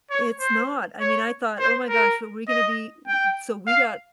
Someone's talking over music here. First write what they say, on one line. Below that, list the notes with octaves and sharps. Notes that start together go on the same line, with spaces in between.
It's not. I mean, I thought, "Oh my gosh, but we gonna be w w" So, we got
C#5
C5
C#5
C5
A#4
D#5
G5
F5